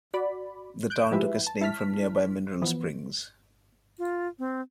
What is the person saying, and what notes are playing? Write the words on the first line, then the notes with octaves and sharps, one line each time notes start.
The town took its name from nearby mineral springs.
F#4 D5 B5
F#6 G6 D7
F3 G#3 E4 G4 B4 E5
A5
E4 A5 F6 B6
E3 F3 B3
F4
C4